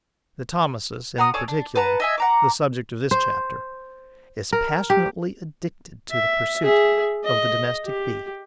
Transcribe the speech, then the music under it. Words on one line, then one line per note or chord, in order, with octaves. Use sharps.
The Thomisus, in particular, the subject of this chapter, is passionately addicted to the pursuit of the Domestic Bee.
F#5 A#5 C6 D#6
G#4 A4 C#5 D5
D4
B4 F#5 A5 A#5
D#5 E5 G#5
F#5 A#5 D6
C5
A#4
G4
E5
G#4 E5
D#5
G4